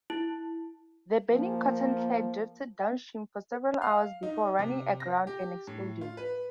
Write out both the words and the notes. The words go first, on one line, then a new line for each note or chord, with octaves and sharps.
The burning cotton-clad drifted downstream for several hours before running aground and exploding.
E4
F3 A#3
F5
D#4
C3
A#6
G4
A2
F4
B4